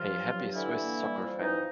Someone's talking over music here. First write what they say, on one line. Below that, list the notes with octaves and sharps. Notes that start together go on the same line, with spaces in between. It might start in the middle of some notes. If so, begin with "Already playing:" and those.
A happy Swiss soccer fan.
Already playing: G2 F3 F4
F#3
G2
D3 E3 E4
A#3
G3
F2
E3 D#4